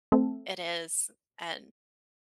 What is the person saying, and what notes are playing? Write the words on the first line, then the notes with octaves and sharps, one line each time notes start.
it is, and
A3 C4 A4